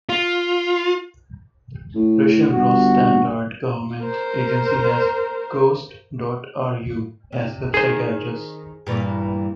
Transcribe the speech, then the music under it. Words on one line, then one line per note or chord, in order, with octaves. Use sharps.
Russian Rosstandart government agency has "gost dot ru" as website address.
F4
A2
G1 F#4
A#4 C5
C3
D#3 G#4 C5
G2 A#2 E3